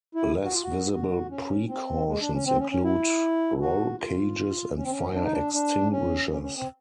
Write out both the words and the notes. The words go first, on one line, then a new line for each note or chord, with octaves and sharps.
Less visible precautions include roll cages and fire extinguishers.
E4
F#4
F4
F#4
F#4
C#4
C4
G#3
D4
C#4
C4
C#4
C#4
E4
F#4
F4
C#4
C4
C#4
D4
D#4
D4
D4
C#4
C#4
C#4
C4